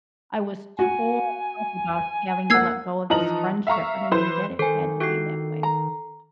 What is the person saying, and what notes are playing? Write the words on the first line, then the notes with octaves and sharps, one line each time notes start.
I was tore up about having to let go of this friendship, but I knew that it had to be that way.
F#4 G#5
A#3 F#5 E6 G#6 C7
E3 F3 D#4 A#5 F#7
E5 F5 A#5 C#6
E3 B4 C5
D#3 A4 C5 G#5
E4 F#4 G4 A4 C7
A#5